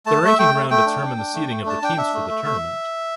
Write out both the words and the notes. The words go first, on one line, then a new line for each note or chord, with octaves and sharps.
The ranking round determined the seeding of the teams for the tournament.
A3 A5
A3 E5
A3 G5
A3
A3 G5
D4
D4
D4
A3
A3
D4 A5
D4 G5
D4 E5
A3
A3
A3